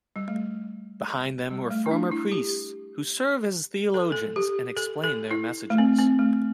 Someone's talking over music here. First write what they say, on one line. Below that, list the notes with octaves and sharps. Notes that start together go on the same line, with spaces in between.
Behind them were former priests who served as theologians and explained their messages.
G3
A3
G3
A3
E4
D4
E4
G4
A4
A4
G4
A4
A4
E4
A3
C4
C4
A3